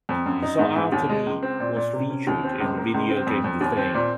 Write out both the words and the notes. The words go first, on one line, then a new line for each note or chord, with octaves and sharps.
The song "After Me" was featured in the video game "The Thing".
F2
F#2
D#4
G#2
G#2
D#2
G#3
C#2
C4
A#2
A#2
C3
C#4
D#2
C4
C#2
A#3
C#2
C4
F2
F2
D#2
C4
A#2